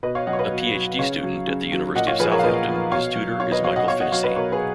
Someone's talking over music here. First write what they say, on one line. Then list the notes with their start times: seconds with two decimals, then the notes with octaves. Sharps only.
A Phd student at the University of Southampton, his tutor is Michael Finnissy.
0.03 B2 B4 D#5
0.15 C#5 F5
0.27 F#3 D#5 F#5
0.33 C#5
0.39 B4 D#5
0.51 B2
0.75 F#3
0.99 C#3 C#5 F5
1.23 F#3
1.47 C#3
1.72 F#3
1.95 A#2 D#5 F#5
2.07 C#5 F5
2.19 F3 G#4 B4
2.32 A#4 C#5
2.39 F5
2.44 A#2 B4 D#5
2.68 F3
2.92 B2 C#5 F5
3.16 F#3
3.40 B2 C#5 F5
3.52 B4 D#5
3.64 F#3 C#5 F5
3.76 D#5 F#5
3.88 B2 C#5 F5
4.00 D#5 F#5
4.12 F#3 C#5 F5
4.24 B4 D#5
4.36 B2 A#4 C#5
4.52 G#4 B4